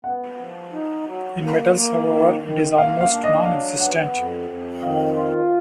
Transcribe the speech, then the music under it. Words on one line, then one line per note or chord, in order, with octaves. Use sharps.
In metals however, it is almost non-existent.
B3 F#5
F3
D#4
F#3
A#3
A#3
D#3
D#3
A#3 F5
F5
D4
D#5
F#3 F5
B3 F#5
F2
F2
D#3 F5
F4